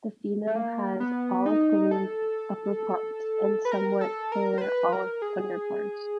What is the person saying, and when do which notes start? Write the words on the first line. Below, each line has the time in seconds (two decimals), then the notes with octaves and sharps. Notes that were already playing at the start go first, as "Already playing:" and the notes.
The female has olive-green upperparts, and somewhat paler olive underparts.
0.47 A3
0.55 A#3
1.00 B3
1.46 D#4
1.91 A4
3.65 B4
3.72 A#4
4.01 A4
4.32 A#4
4.58 C5
4.61 B4
4.93 A#4
5.22 G#4